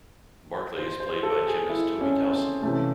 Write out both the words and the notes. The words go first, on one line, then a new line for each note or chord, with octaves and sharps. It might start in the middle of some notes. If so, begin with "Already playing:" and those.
Barkley is played by gymnast Toby Towson.
C5
C5
A4
G#4
E4
C#4
C4
C3 E3 A3 C#4